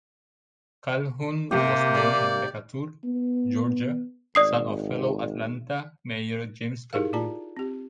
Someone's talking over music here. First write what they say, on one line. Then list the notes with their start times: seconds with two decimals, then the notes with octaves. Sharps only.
Calhoun was born in Decatur, Georgia, son of fellow Atlanta mayor James Calhoun.
1.51 C3 A#3 G4
1.94 D5
3.04 B3
4.35 G#1 D5 D#6 C7
6.93 D#4 E4 G4 G#4 A#4 F5
7.13 F4 D5 A5 A#5
7.57 C4 G4